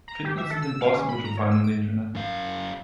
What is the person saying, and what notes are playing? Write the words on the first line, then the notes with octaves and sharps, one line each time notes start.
Fitness is impossible to find on the internet.
A#5
G4
E5
A4
E6
F5
C#4
B5
A#5
C#5
E6
D7
F#2 F5